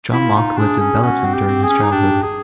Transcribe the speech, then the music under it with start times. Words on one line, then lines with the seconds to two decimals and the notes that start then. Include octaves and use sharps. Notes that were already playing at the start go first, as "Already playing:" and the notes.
John Locke lived in Belluton during his childhood.
0.13 E4 F4
0.36 D#4
0.57 D4 G#4
0.80 C#4
1.03 C#4 F#4
1.25 C4
1.33 G4
1.47 C4
1.63 G#4
1.70 C#4
1.83 D#4
1.92 D4 G4
2.23 G#4